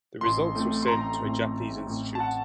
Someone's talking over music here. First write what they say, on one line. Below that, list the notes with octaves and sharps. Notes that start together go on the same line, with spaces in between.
The results are sent to a Japanese institute.
A1 C6
A2 A3 C4
C6
A1 A#5
A2 A3 C4
A1
A2 A3 C4
A5
F#5